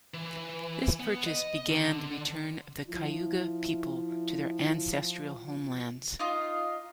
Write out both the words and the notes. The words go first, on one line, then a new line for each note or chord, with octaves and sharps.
This purchase began the return of the Cayuga People to their ancestral homelands.
E3
B3
D#5
D3
F3 E4
D#4 F4 D#6